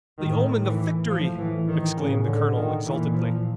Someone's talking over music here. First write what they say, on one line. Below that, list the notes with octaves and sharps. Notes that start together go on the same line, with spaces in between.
"The omen of victory!" exclaimed the colonel exultantly.
A2 D#3
E3
A2 F3
E3
D#3
A2 C#3
D3
D#3
A#2 E3
F3